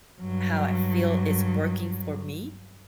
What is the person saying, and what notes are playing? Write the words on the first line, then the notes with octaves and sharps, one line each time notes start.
how I feel it's working for me
G2 F#3